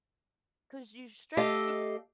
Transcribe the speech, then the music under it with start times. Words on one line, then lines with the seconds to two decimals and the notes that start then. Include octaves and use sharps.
'Cause you stress too
1.37 A3 G4 A4 D#5 F5